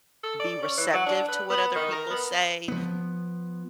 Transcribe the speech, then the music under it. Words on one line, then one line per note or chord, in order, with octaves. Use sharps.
be receptive to what other people say,
A4
D5
C#4
E3
F#3
D4
B4
B3
D#3
A#4
B3
F3 B3